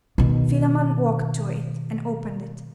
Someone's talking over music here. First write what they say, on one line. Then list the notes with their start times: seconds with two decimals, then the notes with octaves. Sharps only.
Philammon walked to it, and opened it.
0.18 B2 D#3